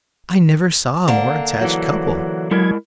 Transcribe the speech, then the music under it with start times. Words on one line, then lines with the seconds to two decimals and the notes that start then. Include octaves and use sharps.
I never saw a more attached couple.
1.08 D3 A#3
1.61 E3 F#3
2.51 F#3 G#3 E4 A#4 G#6